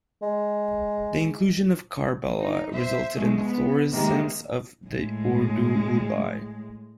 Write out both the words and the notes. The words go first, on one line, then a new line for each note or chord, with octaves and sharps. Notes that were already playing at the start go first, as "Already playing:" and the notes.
The inclusion of Karbala resulted in the florescence of the Urdu Rubai.
G#3
D#4
C5 E5
B2 G#3 A3
B3
C3 D#3 G#3 A#3
A2 G#3